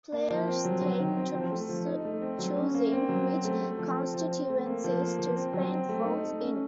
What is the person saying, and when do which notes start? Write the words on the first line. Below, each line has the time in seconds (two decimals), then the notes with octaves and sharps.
Players take turns choosing which constituencies to spend votes in.
0.12 A#3
0.30 F3
0.47 C4
0.65 F#3
0.81 F#3
1.00 D#3
1.17 C4
1.34 F3
1.52 A3
1.69 F3
1.86 D#4
2.05 A3
2.21 C4
2.39 F#3
2.57 C#4
2.74 A#3
2.92 C4
3.09 F#3
3.27 C4
3.45 A3
3.61 A3
3.79 F3
3.96 C4
4.14 F3
4.31 C4
4.49 A3
4.66 A#3
4.84 F3
5.02 A#3
5.19 F3
5.36 C4
5.53 F#3
5.71 C4
5.89 A3
6.06 D#4
6.24 A3
6.41 C#4